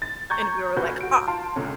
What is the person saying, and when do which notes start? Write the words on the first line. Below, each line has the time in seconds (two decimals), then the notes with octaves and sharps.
And we were like, "Ah."
0.02 A6
0.30 A#5 C#6 G6 G#6
0.76 D2 A#2 F#4 B4 C#5 G6
1.01 F#4 D7
1.27 F4 A5 C6
1.56 C#2 A#2 D3 C#4